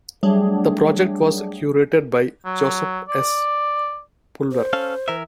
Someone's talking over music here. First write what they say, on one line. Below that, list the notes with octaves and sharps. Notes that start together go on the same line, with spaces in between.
The project was curated by Joseph S. Pulver.
F#3 G3 A3 D4 G#4
F#3
D5
C5
C#4 A4 F5
E3 A#4 E5